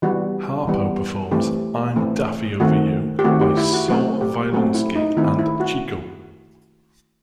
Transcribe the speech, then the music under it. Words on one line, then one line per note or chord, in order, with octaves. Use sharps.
Harpo performs "I'm Daffy over You" by Sol Violinsky and Chico.
E3 G3 B3 F#4
E3 G3 B3
E3 A3 C4 G4
E3 A3 C4
D#3 A3 C4 F#4
G4
D#3 A3 C4 F#4
G4
E4
F#4
F#3 A3 C4 F#4
G4
F#3 A3 C4 F#4
E4
D#4
D#3 A3 C4 E4
E4
F#4